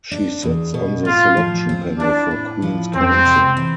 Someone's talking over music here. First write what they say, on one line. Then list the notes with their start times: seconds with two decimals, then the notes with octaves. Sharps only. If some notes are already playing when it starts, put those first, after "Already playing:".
She sits on the Selection Panel for Queen's Counsel.
0.11 D4
0.43 E2
0.74 B2
1.05 A2 F4
1.37 F3
1.69 C4
1.99 D4 E4
2.31 A2
2.62 F3
2.93 F2 C4
3.25 C3
3.57 E3